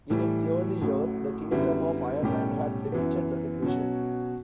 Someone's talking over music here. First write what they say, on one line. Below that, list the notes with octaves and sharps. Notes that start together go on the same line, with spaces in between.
In its early years, the Kingdom of Ireland had limited recognition.
A2 E3 G3
A1 A2 F#3
F#2 D3 G3 B3 E4
B1 A2 G3 C#4 G4
F#2 E3 B3
B2 F#3 C#4 F#4